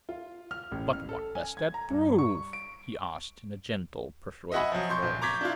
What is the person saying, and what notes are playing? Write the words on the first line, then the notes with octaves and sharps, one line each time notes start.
"But what does that prove?" he asked, in a gentle, persuasive voice.
F4
F6
A1
F6
A4
G#5
G#6
A#5
G2
C#6
D7
D#5 E5 F#5 G#5 B5
F3 F#3
C6 C#6 G6
A#1
A#5 C#6 D6 G6 G#6 B6
D4 E4 F4